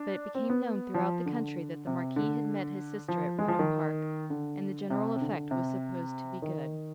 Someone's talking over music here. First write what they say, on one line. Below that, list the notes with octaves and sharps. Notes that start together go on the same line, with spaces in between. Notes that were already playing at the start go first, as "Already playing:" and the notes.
But it became known throughout the country that the Marquis had met his sister at Rudham Park, and the general effect was supposed to be good.
Already playing: D4
C4
B3
F3
D3
C3
D3
F3
G#3
F3
D#3
D3
C3
C3
D3
C3
D#3